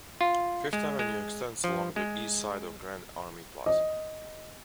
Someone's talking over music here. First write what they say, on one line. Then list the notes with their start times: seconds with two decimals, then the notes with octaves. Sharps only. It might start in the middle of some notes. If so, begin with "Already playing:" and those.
Fifth Avenue extends along the east side of Grand Army Plaza.
0.21 F4
0.73 G#3
0.99 G#3
1.64 F3
1.96 G#3
3.66 D#5